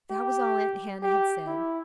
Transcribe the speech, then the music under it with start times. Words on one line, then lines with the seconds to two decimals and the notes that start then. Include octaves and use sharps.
That was all Aunt Hannah had said.
0.10 G4
1.02 G4
1.47 E4